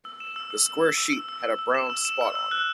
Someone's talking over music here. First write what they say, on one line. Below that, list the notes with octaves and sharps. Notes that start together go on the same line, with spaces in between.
The square sheet had a brown spot on it.
E6
E7
E6
E6
E6
E6
E6
E6
E6
E6
E6
E7
E6
E7
E6
E6
F#6